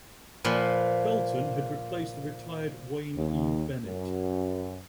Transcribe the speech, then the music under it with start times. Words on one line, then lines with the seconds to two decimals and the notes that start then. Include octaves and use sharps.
Felton had replaced the retired Wayne E. Bennett.
0.45 A#2 F3 B4
3.14 D#2
3.83 F#2